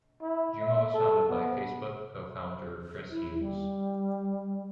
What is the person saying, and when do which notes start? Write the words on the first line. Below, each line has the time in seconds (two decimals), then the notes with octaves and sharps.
Jumo was founded by Facebook co-founder Chris Hughes.
0.22 E4
0.61 E5
0.94 A4
1.29 B3
3.11 E4
3.40 G3